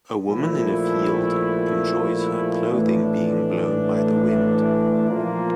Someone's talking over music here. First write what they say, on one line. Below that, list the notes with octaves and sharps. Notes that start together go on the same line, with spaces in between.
A woman in a field enjoys her clothing being blown by the wind.
A#2 F3 A3 E4
A2 E3 A3 D4
A#2 F3 A#3 F4